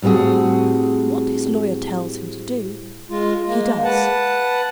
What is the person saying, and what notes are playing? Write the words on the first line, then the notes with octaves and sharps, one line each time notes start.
What his lawyer tells him to do, he does.
A2 G3 C4 F#4 G#4
G#3 F4
G#3 A#3
B4 F#5 A5